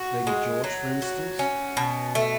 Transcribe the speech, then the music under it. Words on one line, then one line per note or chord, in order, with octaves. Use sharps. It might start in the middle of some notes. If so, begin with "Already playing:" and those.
"Lady George for instance."
Already playing: F#4
G#3
F#3
F#4
C#4
B2
A3